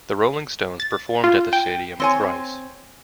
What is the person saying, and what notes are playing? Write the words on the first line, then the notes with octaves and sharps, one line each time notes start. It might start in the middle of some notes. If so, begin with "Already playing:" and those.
The Rolling Stones performed at the stadium thrice.
A6
F4
G5
C4 C#5 G#5